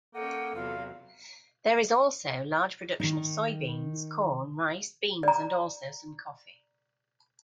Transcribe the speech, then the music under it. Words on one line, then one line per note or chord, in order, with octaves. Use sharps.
There is also large production of soybeans, corn, rice, beans, and also some coffee.
A#3 C#4 A4 D#5 F#5 G5
E2 C3 F#3 F4 F5
D#3 D#4
D5 A#5